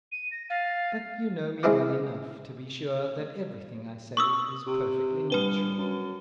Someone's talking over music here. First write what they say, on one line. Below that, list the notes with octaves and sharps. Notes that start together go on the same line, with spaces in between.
But you know me well enough to be sure that every thing I say is perfectly natural.
D#7
A#6
F5 A6
G#3 C4 E4 F4 C5
C#6 D#6 E6
C3
G1 G3 B4 G7
F#2